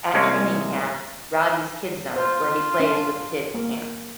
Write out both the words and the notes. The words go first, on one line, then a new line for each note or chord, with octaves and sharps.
At Training Camp, Rowdy's Kid Zone, where he plays with the kids at camp.
C2 G#3 A#3 C4 C#4
F4 C5
C#4 D4
A#3 A#4